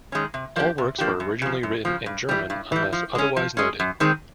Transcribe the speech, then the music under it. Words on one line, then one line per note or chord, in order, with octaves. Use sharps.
All works were originally written in German unless otherwise noted.
D#3 G#3 C#4
C3
F3 A#3 D4 G4
C3
F3 A#3 D4 G4
F#2
C#3 F3
F#2
C#3 F3
G2
E3 G3
G2
E3 G3
F3
G#3 C#4
F3
G#3 C#4
F#2
D#3 G#3 C4